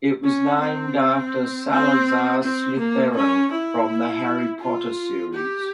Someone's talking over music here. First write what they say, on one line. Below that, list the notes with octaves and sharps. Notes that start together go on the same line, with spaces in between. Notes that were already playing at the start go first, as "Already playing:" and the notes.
It was named after Salazar Slytherin from the "Harry Potter" series.
C#4
C4
C4
C4
A#3
C#4
E4
F4
G4